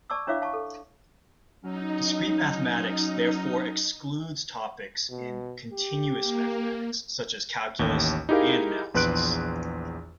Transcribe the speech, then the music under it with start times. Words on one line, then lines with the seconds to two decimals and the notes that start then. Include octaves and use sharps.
Discrete mathematics therefore excludes topics in "continuous mathematics" such as calculus and analysis.
0.10 D5 A5 C#6 D6 E6
0.27 D4 E4 C#5 E5 F5 D6
0.42 F5 A5 C#6
0.53 A4
1.64 F#3 C#4 D#4
5.10 B2
5.72 G4
6.19 A#3
7.79 A1 D#2
8.29 D#4 E4 G4 G#4 A#4 F5
8.94 A#1 E2 B4 C6 F#6 D7